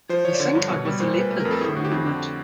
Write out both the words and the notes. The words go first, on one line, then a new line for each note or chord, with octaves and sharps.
I think I was a leopard for a minute.
F3 C5
F3 C#5
D5
D3 C#5
G2
B2
G3
A#2 C5
A#2 B4
A3 B4
A#4
F2
A4
A2 G#4
A2 F#4
G4
F2 F#4
D3 G4